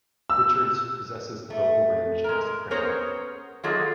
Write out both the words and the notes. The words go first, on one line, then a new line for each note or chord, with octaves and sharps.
Richards possesses the vocal range of a soprano.
E6
A3
G#3 A#4
B3 C#4 G#4 A#4 C5 C#5
D#3 F#3 A#3 F4 G#4 A4